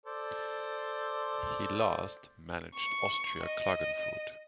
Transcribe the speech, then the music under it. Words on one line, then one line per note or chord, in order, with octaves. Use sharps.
He last managed Austria Klagenfurt.
A4 C5 D5
C#6
D#5